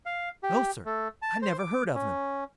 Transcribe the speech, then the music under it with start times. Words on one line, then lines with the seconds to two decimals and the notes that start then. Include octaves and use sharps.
"No, sir; I never heard of them."
0.06 F5
0.43 G4
0.86 A3
1.22 A5
1.42 C5
1.59 D6
1.95 C#4